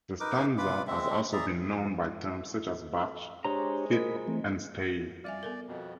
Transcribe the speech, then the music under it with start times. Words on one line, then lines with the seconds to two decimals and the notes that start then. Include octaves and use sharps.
The stanza has also been known by terms such as "batch", "fit", and "stave".
0.20 D#4 A#4 B4 D6
0.58 F4 B4 B5 D6
0.87 G#3 C4 E5
1.33 G#4 D5 E5 A#5
3.45 G#3 D4 G4 C5 C#5 A#5
3.92 A#4 D#5 B5
4.28 E3 A3 C4
5.24 G3 D5 E5 G#5
5.43 B3 A4 A#4
5.68 F2 B2